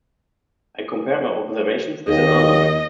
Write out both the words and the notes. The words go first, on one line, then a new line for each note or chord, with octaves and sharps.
I compared my observations with an almanac.
D#2 D#5